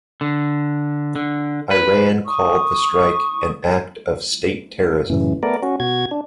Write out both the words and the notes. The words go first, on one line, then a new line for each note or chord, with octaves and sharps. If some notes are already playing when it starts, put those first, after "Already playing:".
Iran called the strike an act of "state terrorism".
D3
D3
B4
C#6 D#6
F#2 A2 C#3 E3
A3 B3 A#4 D5
C#4 F#4
B2 F#4 G#6
D4